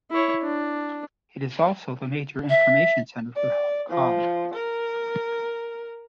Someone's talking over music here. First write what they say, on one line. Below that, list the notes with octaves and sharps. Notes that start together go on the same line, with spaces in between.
It is also the major information centre for Hong Kong.
E4 C#5
D4
E5
D5
F3
A#4